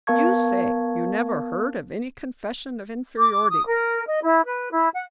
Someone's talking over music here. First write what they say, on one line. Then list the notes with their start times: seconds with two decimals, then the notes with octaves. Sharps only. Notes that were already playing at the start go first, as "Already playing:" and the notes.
You say you never heard of any confession of inferiority.
0.07 B3 A#4 F5 A5 C#6 G#6
3.20 D6
3.50 D#6
3.66 A#4
4.07 D#5
4.23 E4
4.45 B4
4.71 E4
4.93 F#5